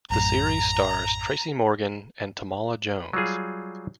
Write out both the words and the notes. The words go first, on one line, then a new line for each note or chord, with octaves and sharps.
The series stars Tracy Morgan and Tamala Jones.
A#1 F#2 A2 A#5
F#3 G3 F4 G#4